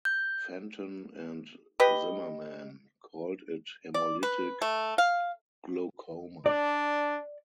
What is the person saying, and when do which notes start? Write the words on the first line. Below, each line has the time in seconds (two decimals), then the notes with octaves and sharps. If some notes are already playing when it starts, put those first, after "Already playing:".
Fenton and Zimmerman called it hemolytic glaucoma.
0.05 G6
1.80 G4 B4 D#5
3.94 D5
4.23 B4
4.62 A3
4.98 F5
6.46 D4 D5